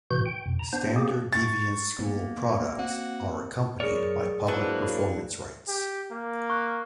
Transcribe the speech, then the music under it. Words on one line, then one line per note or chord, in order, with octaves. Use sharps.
Standard Deviants School products are accompanied by Public Performance Rights.
A2 C3 E3 F#4 G6
G5
F2 B2
A#5
B3 D4 C5
A#3 C4 G4 G#4
C#6 A6
A#3 B3
C4 F#4
F#2 G#4 A#4 C#5 D5
F#3 A#3 D4 E4 F#4 B4 C5
G4
A#3
C#6 F#6